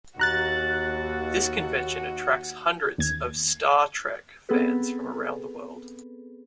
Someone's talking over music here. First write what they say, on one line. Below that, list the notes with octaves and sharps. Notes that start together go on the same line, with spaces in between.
This convention attracts hundreds of "Star Trek" fans from around the world.
D#2 F#4 A#5 F#6 A6
D#2 G#6
B3 C4 G#4 A4 B4